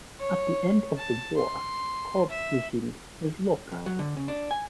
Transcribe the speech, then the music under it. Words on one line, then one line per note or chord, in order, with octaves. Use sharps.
At the end of the war Cobb resumed his law practice.
C#5
A5
C6
E5
F2
F#3
D3
C#3
D4
G#5